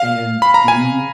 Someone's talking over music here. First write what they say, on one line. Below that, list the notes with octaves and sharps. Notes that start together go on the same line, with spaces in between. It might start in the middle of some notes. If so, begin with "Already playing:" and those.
and do
Already playing: F5
B5
A#5
G#5